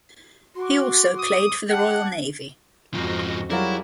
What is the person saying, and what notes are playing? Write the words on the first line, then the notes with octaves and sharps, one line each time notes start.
He also played for the Royal Navy.
F#4 C6 D6
D#6
D4 F#5 G5 A5
F2 G#2 F3 F#4 D#5
F#3 G3 E4 F4 G#4 A#4 D5